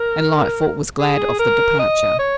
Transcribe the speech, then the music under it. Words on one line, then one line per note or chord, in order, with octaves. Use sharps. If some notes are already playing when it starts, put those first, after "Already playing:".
And Lightfoot was glad of the departure.
Already playing: A#4
G#4
A#4
D#5
C#5